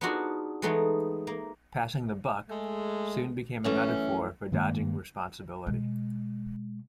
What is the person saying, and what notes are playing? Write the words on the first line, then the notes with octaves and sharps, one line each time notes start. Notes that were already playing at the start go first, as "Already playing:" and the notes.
"Passing the buck" soon became a metaphor for dodging responsibility.
B3 D4 D#4 F4 F#4 G#4
E3 G#3 A3 B3 D#4 G#4
A#3
G#3 A3
F#2 E3 A3 C#4
G2 D#3 G#3 A#3
B2 G#3